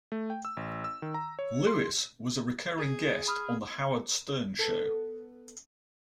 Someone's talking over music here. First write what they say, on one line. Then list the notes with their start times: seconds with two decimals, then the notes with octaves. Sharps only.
Lewis was a recurring guest on "The Howard Stern Show".
0.12 A3
0.30 G5
0.45 E6
0.57 A1
0.84 E6
1.02 D#3
1.14 A#5
1.39 C#5
1.67 C6
2.78 G#4
3.27 B5 D#6 F6
4.59 B3 A4